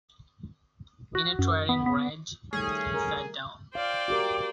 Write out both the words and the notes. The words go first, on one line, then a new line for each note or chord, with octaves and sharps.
In a towering rage, he sat down.
F#4
F#2
B3
B3
D#3 G3 A3 C#4 G#4
A#4
C5 D5 F5 G5
F#4 G4 A#4 D6